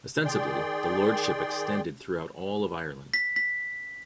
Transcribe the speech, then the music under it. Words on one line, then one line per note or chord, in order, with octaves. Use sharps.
Ostensibly, the lordship extended throughout all of Ireland.
D#3 G#4 D5 G5 C6
B6
B6